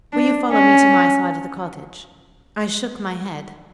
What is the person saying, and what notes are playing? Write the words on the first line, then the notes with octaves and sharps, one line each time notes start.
"Will you follow me to my side of the cottage?" I shook my head.
D4
C#4